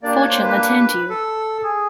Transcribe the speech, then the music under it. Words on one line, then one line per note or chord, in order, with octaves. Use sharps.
Fortune attend you !
A#3 D4 G4 D5
C#5
C5
B4
A4
G#4